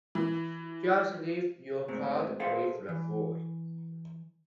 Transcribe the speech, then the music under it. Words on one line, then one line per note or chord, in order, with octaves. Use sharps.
Just leave your card with the boy.
E3
G#2 G#3 A3 C4
G#4 A4 B4 C5 E5 F5
E3